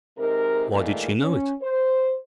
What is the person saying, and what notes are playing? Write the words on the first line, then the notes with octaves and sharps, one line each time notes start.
Why did she know it?
C3 G#3 D#4 A#4
A#2 D#3 E3 G#3 A3 A#4
C#4
C5